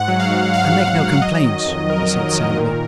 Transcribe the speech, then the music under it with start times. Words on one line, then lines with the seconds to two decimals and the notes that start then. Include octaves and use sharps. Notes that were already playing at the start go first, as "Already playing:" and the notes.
"I make no complaint," he said sadly.
Already playing: G#2 F#5
0.08 F#3
0.20 F5
0.31 G#2
0.54 F#3 F5
0.76 G#2
0.87 F5
0.99 F#3
1.11 F5
1.21 F#3 D#5
1.44 D#3
1.66 F2
1.89 F2 A#4
2.11 F#3
2.35 D#3
2.57 A#2